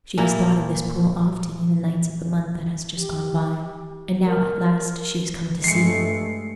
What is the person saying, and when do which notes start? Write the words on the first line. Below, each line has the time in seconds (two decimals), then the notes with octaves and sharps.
She has thought of this pool often in the nights of the month that has just gone by, and now at last she is come to see it.
0.18 A#2 A#3 E4 A#4
2.96 G4
4.24 A#4
5.64 G2 G#3 A3 C7 C#7